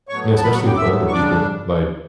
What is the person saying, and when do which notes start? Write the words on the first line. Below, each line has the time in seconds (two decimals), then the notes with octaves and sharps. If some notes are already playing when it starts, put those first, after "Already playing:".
Yeah, especially with older people. Like,
0.09 A2 F#3 B3 C#5 C#6
0.37 A5
0.43 A2 F#3 B3 B4 B5
0.54 F#4 F#5
0.66 G4 G5
0.73 D6
0.77 A2 F#3 B3 E5 E6
1.08 C#6
1.12 C#3 G3 D4 D5 D6